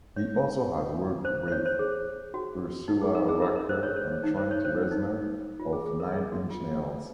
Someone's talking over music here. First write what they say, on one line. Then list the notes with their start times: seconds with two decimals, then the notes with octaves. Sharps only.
He also has worked with Ursula Rucker and Trent Reznor of Nine Inch Nails.
0.16 C#5
1.25 C5
1.48 C5
1.52 C#5
1.65 C5
1.79 G#4
2.34 F#4
2.88 D#4
3.01 G#4
3.15 A#4
3.29 G#4
3.42 A#4
3.56 A#4
3.69 C5
3.83 C#5
3.96 C5
4.24 D#4
4.37 C5
4.51 C#5
4.65 C5
4.91 D#4
5.60 F4
5.73 G#4
5.86 G#4
6.00 A#4
6.14 G#4
6.32 F#4
6.50 F4